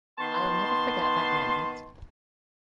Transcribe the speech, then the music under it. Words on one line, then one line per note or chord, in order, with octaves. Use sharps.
I’ll never forget that moment.
D#3 B3 A5 C6